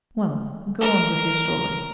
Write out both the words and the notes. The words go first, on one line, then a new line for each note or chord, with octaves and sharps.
"Well, go on with your story."
A#4